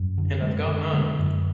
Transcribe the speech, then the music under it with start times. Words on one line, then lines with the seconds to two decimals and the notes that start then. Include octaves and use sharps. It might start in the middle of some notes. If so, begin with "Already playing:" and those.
And I’ve got none.
Already playing: F#2
0.18 D3
0.42 F#2 G#3
0.68 D3
0.93 D3 G#3
1.19 F#2